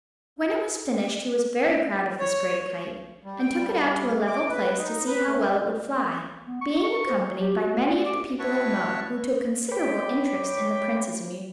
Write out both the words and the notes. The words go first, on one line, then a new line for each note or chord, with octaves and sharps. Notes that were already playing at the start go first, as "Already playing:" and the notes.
When it was finished he was very proud of this great kite, and took it out to a level place to see how well it would fly, being accompanied by many of the people of Mo, who took considerable interest in the Prince's amusement.
C#5
G3
G5
G3
D6
B4
D#4
B4
A3
B3
C#6
C#6
C5
F#3
G4
F#4
B3
D5
D6
E4 F#4 B4 C#5 A5 C#6
C#5 G5 B5 D6